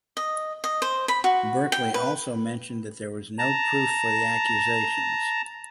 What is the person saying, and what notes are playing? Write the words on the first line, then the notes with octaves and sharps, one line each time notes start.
Berkeley also mentioned that there was no proof for the accusations.
D#5
D#5
C5
B5
F#4
G5
B4
A5 A#5